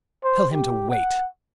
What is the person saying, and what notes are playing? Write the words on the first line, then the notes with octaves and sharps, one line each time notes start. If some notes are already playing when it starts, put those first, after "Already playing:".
Tell him to wait.
C5
G4
F#5